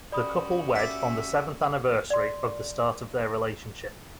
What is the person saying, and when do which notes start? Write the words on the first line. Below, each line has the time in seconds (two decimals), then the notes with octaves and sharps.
The couple wed on the seventh anniversary of the start of their relationship.
0.12 C#4 F#4 G4 D5 B5 D#6
0.75 E5 D6
2.10 D5 C6